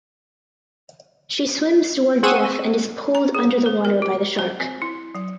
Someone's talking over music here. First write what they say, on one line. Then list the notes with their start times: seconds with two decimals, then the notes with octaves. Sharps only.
She swims towards Jeff and is pulled under the water by the shark.
2.23 C4 G#4 F#5 C#6 E6 D#7
3.15 A#5
3.35 G#4
3.66 C5
3.85 A#4
4.02 G4
4.39 C5
4.60 C4
4.82 E4
5.15 F#3